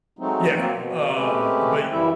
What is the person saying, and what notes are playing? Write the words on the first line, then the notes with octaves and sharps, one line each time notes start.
Yeah, um, but y
F#3 G#3 A3 C4 D#4
F#3 A#3 C4
B2
G#3 A3 C4 C#4 G4 B4
F#2 C#3 E3 G3 E4 E5